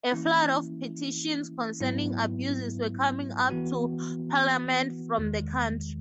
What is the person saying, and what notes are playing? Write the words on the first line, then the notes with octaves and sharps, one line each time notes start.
A flood of petitions concerning abuses were coming up to Parliament from the country.
E3 A#3 C#4 E4
G#2 F#3 B3 E4
E3 B3 F#4
E2 D#3 G#3